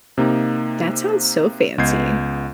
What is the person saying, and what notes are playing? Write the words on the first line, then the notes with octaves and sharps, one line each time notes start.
That sounds so fancy.
C3 A#3 D#4
C#2 B3 D#5 G6 G#6 C7